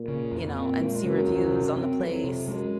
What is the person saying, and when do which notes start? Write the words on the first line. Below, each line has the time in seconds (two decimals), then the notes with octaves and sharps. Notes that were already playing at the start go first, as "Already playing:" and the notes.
you know, and see reviews on the place,
Already playing: A#2
0.08 C#3
0.32 F2
0.56 A#2 C4
0.80 G#3
1.03 F#2 C#3
1.28 D#2
1.52 C3
1.76 C4
1.99 F2 F#3
2.24 C3
2.47 F#2 G#3